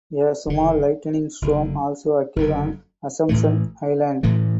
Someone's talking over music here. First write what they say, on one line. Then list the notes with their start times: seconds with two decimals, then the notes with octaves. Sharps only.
A small lightning storm also occurred on Assumption Island.
0.47 F#1 F#2 D3
1.42 F#1 F#2 D3
2.36 F#1 F#2 D3
3.29 A1 A2 E3 A3
4.23 A1 A2 E3 A3